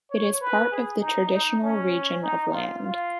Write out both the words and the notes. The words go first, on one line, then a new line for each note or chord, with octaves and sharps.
It is part of the traditional region of Land.
C#5
B4
G#4
D#4
D#4
C#4
D#4
F4
F4